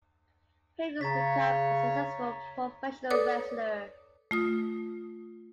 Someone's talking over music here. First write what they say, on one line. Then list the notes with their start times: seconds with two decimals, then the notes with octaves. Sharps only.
Hercules becomes a successful professional wrestler.
1.01 C#3 C#5 A#5 A6 B6
3.10 A4 B4 C#5 D5 D6 D#6
4.31 A3 F4 D#6